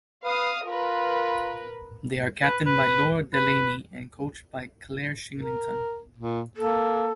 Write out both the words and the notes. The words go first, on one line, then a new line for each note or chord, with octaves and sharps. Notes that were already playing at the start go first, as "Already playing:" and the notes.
They are captained by Laura Delany and coached by Clare Shillington.
B4 F5 D#6
F4 A#4 B4
B4
B4
B4
A#4
A#2
A#3 A4